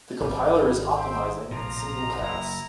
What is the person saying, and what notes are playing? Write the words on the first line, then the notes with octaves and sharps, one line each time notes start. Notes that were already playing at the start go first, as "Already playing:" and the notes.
The compiler is optimizing and single pass.
G#1 G3
C5 E5 G5
A#1 A2 C3 F3 A#5
F#1 E4 A#5